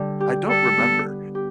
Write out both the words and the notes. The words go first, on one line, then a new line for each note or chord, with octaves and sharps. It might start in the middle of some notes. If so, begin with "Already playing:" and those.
I don't remember.
Already playing: D3 G3
G4
G3 A4
B3
B3
G4